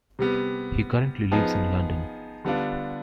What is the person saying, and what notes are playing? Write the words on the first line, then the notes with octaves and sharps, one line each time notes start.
He currently lives in London.
C3 G3 B3
F3 B3 D#4 G#4
D3 G3 B3 D4 F4